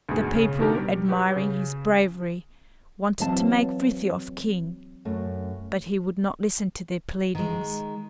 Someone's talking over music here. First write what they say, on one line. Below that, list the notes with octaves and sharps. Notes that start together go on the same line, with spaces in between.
The people, admiring his bravery, wanted to make Frithiof king, but he would not listen to their pleadings.
D2 G#2 B2 G#4
C#3
B2 D#3 D4 G4 A#4
G3
F#4 G4 B4
C#3
E3 F#3 C4 D#5 F5 A5
F#2 A3
D#3 G#3